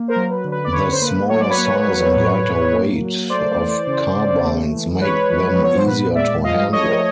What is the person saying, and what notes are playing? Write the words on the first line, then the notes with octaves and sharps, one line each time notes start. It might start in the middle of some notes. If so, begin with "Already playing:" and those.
The smaller size and lighter weight of carbines make them easier to handle.
Already playing: A#3
A#4 C5
F#3
B4
D3
B4
D5
D3 B4 C#5
C5
A#3 B4
F#3 C#5
D5
B4 C#5
A#3
F#3
A2
A2
A#3
F#3
A3 C5 D5
E3
C#3
C#3
A3
E3
G#3 B4 C#5
F3
B3
C#5
C5
A#2 B4
G#3 D5 E5
F3 D#5 F5
A3 C#5 D#5